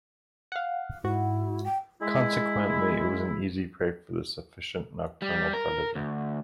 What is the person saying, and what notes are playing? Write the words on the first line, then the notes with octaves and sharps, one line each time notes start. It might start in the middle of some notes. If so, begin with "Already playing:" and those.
Consequently, it was an easy prey for this efficient, nocturnal predator.
F5 F#5
G#2 E4 F#4
G5
G#3 E4
G3
A#4
D2